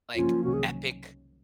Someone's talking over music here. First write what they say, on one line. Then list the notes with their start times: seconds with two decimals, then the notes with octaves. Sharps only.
like, epic
0.15 F#2 C#3 F3 A#3 C#4 F4
0.44 C2 C3 D#3 F#3 C#4 F#4
0.53 G#4